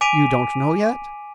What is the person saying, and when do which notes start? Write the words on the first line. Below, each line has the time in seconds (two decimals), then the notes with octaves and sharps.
"You don't know yet?"
0.01 G#5 D6 B6 D7 D#7 F7